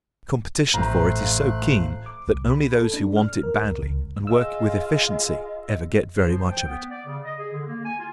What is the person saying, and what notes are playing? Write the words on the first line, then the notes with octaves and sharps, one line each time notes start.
Competition for it is so keen that only those who want it badly and work with efficiency ever get very much of it.
A1 F2 F3 A3 A#5 C6 F#6
D6
C2
B5
A4
D4
F6
A#4
C2
C#2
F4 G#4 D#5 E6
C5
F3
G5
B3
D5
C#3
D#5
G#4
D3
A#3
G#5
F4